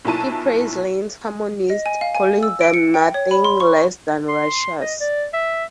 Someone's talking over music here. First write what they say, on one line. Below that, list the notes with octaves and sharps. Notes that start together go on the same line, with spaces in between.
He praised Lynne's harmonies, calling them nothing less than righteous.
B1 A#2 E4 A5 D#7
D#5
G#5
F5
G#5
E6
D7
C#7
G5
C#5
B5
C6
C#6
C6
D#5
D5
E5